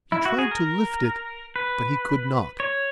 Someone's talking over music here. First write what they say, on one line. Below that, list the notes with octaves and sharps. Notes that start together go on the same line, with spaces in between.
He tried to lift it, but he could not.
E4
F#4
G#4
A#4
B4
C#5